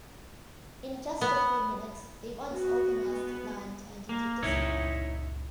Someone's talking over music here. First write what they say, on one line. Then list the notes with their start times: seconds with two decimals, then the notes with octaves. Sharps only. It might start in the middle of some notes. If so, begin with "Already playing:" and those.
In just a few minutes, the once organized line turned into disarray.
1.21 B3
2.51 B3 F#4
3.09 B3
4.09 A#3
4.43 F#1 C#2 D#4 E4 C#5